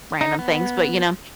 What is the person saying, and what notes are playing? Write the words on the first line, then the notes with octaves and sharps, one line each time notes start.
random things, but, you know,
D#4
B3